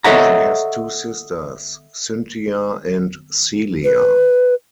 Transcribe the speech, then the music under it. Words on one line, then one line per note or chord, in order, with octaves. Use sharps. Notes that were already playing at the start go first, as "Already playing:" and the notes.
She has two sisters, Cynthia and Celia.
A4 C#5 D#5 E5 F#5 A#5
B4